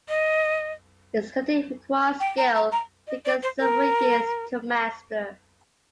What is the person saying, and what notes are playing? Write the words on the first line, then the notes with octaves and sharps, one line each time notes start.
Its cutting requires skill, taking several years to master.
D#5
G5
A#5
A#5
A#5
D#5
D5
C5
A#4